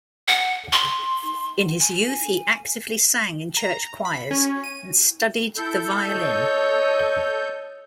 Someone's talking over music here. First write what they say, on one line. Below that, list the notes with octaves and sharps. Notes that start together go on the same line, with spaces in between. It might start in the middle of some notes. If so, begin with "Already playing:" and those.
In his youth he actively sang in church choirs and studied the violin.
F#5
C6
G#5
A#5
B5
C#4
D#7
E4 A4 G6
C#5 D#5